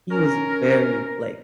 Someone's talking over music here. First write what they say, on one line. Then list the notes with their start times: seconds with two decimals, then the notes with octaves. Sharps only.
he was very, like,
0.10 C#4 A#4